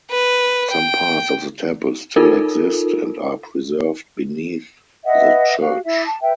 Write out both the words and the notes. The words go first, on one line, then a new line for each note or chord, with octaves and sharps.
Some parts of the temple still exist and are preserved beneath the church.
B4
G5
D#4 F4 A4 A#4
B4 D#5 E5 F#5
F#4 G4 F5
E4 E5
A5
B4 E5 G5